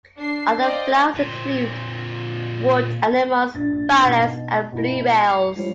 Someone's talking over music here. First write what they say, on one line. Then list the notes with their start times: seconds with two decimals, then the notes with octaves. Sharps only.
Other flowers include; wood anemones, violets and bluebells.
0.18 D4 C7
0.58 C5 D5 D#5 F5 G5
1.15 A#2 C4
3.54 A#1 A6
4.04 B2 D#4
4.72 B2 E4 B5
5.27 C7 C#7 F7
5.56 F3 G3 C5 C#5